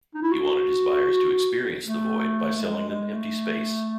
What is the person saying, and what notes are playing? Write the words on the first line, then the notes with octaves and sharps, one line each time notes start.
He wanted his buyers to experience The Void by selling them empty space.
D#4
E4
F#4
A3
A3
G#3
G#3
A3